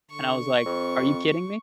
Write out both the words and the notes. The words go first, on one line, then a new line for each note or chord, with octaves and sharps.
And I was like, "Are you kidding me?"
D3 C#6
F2 C4